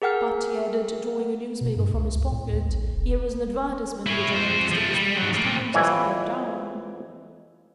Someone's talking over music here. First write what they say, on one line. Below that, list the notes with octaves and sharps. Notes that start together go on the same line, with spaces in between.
But," he added, drawing a newspaper from his pocket, "here is an advertisement which I noticed in this morning's Times as I came down.
G#4 A#4 F#5 G5 F6
B2
G2
C#2
C#2
A2
D#2
A#1
E1
E4 C#5
F2 C5
F3 A3
G3
G#2 F#3
A2 A#3
F2 E3 E4 C#5